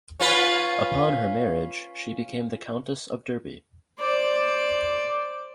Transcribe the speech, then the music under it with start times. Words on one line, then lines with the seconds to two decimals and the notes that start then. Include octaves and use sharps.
Upon her marriage she became the Countess of Derby.
0.20 C#4 F4 B4
4.00 C5 D5